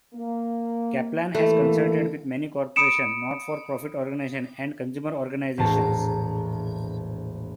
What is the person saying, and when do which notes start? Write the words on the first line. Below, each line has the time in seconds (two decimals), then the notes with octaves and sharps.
Caplan has consulted with many corporations, not-for-profit organizations, and consumer organizations.
0.14 A#3
1.35 D#2 A2 E3 A3 A#3
2.76 B5 D#6 C#7 D7 E7
5.58 E1 A#1 A2 A5 A#5 C7